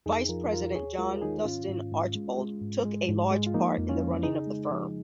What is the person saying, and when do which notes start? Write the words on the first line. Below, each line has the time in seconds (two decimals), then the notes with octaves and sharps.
Vice-president John Dustin Archbold took a large part in the running of the firm.
0.06 F2 D#4 G#4
0.29 F3 F4 A#4
0.52 F2 F4 A#4
0.75 D#2 G#4 C#5
0.98 G#3 F4 A#4
1.21 D#3 D#4 G#4
1.45 G#2 C#4 F4
1.68 G#2
1.92 G#2
2.15 G#3
2.38 G#3
2.61 G#2
2.85 G#3
3.08 G#2
3.31 G#3
3.47 F4
3.54 F3 A#3 D#4
3.78 F2
3.89 C#4 F4
4.01 F3
4.23 C#3 D#4 G#4
4.47 G#3
4.71 F3